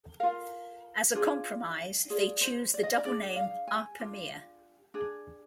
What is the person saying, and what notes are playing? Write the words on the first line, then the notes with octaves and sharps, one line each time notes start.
As a compromise they choose the double name Erpe-Mere.
F4 A#4 F5
D4 F4 G#4
F4 G#4 D5
C5
D5
D#5
D5
D4 G#4 D5
F5
G#5
D4 F4
D4 G#4